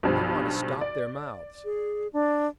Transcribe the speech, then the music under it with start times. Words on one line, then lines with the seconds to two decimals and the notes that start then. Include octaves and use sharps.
"I want to stop their mouths."
0.03 B1 G2 F3
0.81 D5
1.65 G#4
2.13 D4